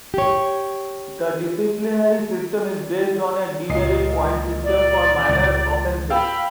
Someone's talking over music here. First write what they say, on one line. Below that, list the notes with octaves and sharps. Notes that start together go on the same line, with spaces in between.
The disciplinary system is based on a demerit points system for minor offences.
G4 C#5
C#2 A#2 D#5 C7
D5
C#2
F5 G5 B5 E6